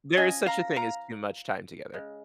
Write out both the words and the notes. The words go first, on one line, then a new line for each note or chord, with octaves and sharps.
There is such a thing as too much time together.
F3 C#4 D#5 G#5
F5 A#5
F5 A#5
C#3 G#3